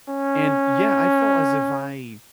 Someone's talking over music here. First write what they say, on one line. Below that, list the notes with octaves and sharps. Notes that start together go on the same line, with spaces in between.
And, yeah, I felt as if I
C#4